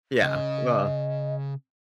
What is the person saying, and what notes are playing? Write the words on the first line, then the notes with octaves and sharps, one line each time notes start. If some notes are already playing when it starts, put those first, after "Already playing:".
Yeah, well
C#3 D#5